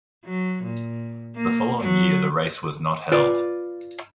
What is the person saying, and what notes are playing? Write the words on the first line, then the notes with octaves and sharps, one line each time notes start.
The following year the race was not held.
F#3
A#2
A#3
F#3
F4 B4 D5